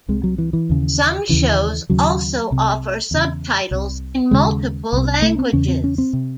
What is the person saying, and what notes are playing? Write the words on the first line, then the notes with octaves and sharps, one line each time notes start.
Some shows also offer subtitles in multiple languages.
C2 C3 G#3
F#3
E3
E3
D#2 C#3
D#2 C#3 E3
D#2 C#3 F#3
C2 C3
E2 C#3
C2 C3
D#2 C#3 G#3
C2 C3
A3
C4
E2 C#3 C#4
C4
C#4
C4
C3